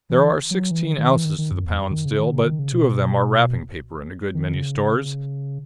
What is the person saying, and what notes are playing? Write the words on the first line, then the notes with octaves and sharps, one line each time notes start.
There are sixteen ounces to the pound still, but two of them are wrapping paper in a good many stores.
E3
F#3
E3
D#3
D#3
E3
D#3
D#3
F#2
E2
F#2
D#3
C#3
D#3
C#3
D#3
C#3
B2
D#3
C#3